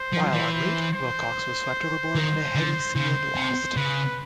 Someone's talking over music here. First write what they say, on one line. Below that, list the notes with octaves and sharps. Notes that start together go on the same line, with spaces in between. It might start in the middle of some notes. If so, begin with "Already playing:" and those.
While en route, Wilcox was swept overboard in a heavy sea and lost.
Already playing: C5
F3
E3
C5
C5
D#3
D3
C#3 C5
C3
C#3 B4